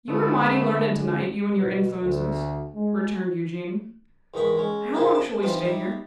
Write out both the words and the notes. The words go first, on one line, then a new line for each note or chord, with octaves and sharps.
'You are mighty learned to-night, you and your influences,' returned Eugene. 'How long shall we stay here?'
D3 F3 G#3 A3 B3
B2
D2
G#3
E2 D#3 G#3 D#4 B5 C#6
G#3 C#4
E4 F4 G4 G#4 A#4 C5
A5
E3 F3 C4 D#4 F4
G3 D#4 E4